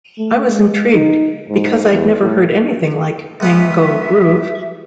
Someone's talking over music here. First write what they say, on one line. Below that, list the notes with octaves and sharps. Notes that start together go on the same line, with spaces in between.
I was intrigued because I'd never heard anything like Mango Groove.
A3
G#3
D#4
G#2
E2
A2
C#2 B3 C#4 E5